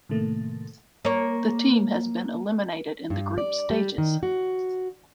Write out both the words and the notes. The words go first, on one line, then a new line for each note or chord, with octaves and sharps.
The team has been eliminated in the group stages.
A2 C3 D#3 A3 A#3
A#3 C#5
G2
D5
G3
D#3
F#4